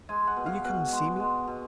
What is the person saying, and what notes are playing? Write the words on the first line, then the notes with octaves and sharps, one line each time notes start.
Will you come and see me?
G#3 G#5
F#5
B2
F5
B2 F#5
G#3
G#3
B2